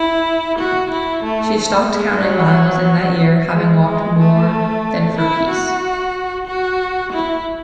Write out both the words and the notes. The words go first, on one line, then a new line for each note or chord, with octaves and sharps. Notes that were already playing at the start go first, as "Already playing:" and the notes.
She stopped counting miles in that year, having walked more than for peace.
Already playing: E4
F#4
E4
A3
A3
G#3
F#3
G#3
G#3
A3
E4
F#4
F#4
E4